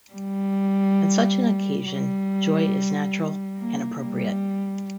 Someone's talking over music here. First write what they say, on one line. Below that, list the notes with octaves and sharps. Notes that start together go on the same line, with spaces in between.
On such an occasion, joy is natural and appropriate.
G3
G3
A#3
G3